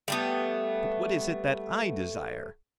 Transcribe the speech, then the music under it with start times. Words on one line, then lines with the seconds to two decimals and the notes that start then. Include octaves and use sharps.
But what is it that I desire?
0.08 G3 A3 B3